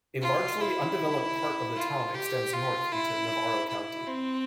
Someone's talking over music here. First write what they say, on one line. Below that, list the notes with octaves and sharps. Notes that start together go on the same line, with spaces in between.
A largely undeveloped part of the town extends north into Navarro County.
F4
E4
F4
G4
F4
E4
E4
C4